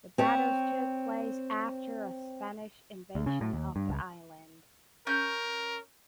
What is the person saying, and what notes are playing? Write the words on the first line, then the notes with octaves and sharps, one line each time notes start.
The battles took place after a Spanish invasion of the island.
C4 C#5
D2
C#3
A2
D#2
G2
C#2
C#4 A#4 G6